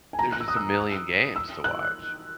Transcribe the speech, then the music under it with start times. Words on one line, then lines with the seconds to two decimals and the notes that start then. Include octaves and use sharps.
there's just a million games to watch.
0.13 G#5
0.19 A#5
0.32 F#6
0.40 E6
0.48 D#6
0.56 E6
1.36 E6
1.64 F#6